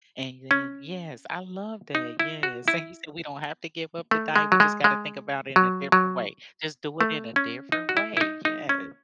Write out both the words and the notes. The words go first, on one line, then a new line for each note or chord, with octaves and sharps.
and then yes, I love that. Yes, and you said we don't have to give up the diet, we just gotta think about it in a different way. Just do it in a different way. Yes,
C#4
D#4
E4
F#4
E4
A3
G#3
F#3
G#3
G#3
F#3
F#3
A3
C#4
D#4
F#4
E4
E4
D#4
D#4
C#4